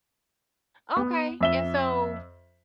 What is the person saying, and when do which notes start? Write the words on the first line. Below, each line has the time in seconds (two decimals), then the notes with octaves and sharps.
Okay, and so,
0.97 B3
1.41 F2 E5 G7